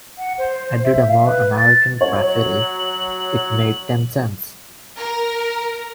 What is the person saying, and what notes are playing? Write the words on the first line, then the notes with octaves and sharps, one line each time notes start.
I did a "More American Graffiti"; it made ten cents.
F#5
C5
E5
F5
B4
A6
F#3 C#5 F#7
A#4